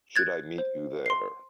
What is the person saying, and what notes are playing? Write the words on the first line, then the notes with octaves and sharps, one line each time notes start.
Should I meet you there?
F#6 G#6 A6
C5
C6 C7